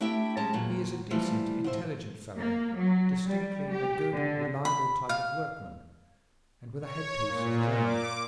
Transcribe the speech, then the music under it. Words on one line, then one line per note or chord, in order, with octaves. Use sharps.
He is a decent, intelligent fellow, distinctly a good, reliable type of workman, and with a headpiece of his own.
A3 D4 E4 G4 E5 G5
F#2 G#3 C#4 A5 A#5
E2 A#2 F#3
E3 F3 G3 A3 A#3
D2 A2 C5 E5
A#3
F#3
G3
G4
D3
B5
F5
C#5
A#2
D6